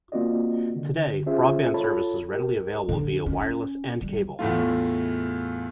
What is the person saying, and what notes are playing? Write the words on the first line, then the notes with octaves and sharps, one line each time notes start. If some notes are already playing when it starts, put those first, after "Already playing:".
Today, broadband service is readily available via wireless and cable.
A#3 C4 F4 F#4 D5 D#5
D3
C#4 F4 G#4 C5 E5
F4 A4 C#5 A5 B5
G4 A#4
D3
C#4
G3
E2 A2 A3 F4